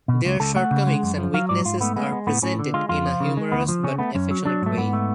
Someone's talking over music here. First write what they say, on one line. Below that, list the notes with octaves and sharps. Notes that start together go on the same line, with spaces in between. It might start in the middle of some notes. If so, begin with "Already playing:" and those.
Their shortcomings and weaknesses are presented in a humorous but affectionate way.
B2
C#2
C#2 A4
A3 F#5
C#3
G#3
F#2
F3
F#3 F5
G#2 D5
G#2 F4
A3 B3
G#3 B3
G#3
A2 B3
A2 C#4
D3
G#3 F4
F2 F4
F3
C#3
G#3
D2 B3
F3
C#3 C#4
A3 B3
F#2 C#4
F#3
F#3 D4
G#2 A3
G#2 B3
A3